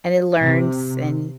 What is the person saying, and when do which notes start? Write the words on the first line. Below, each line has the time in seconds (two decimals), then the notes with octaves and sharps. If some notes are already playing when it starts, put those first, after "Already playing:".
And it learns and,
0.41 C3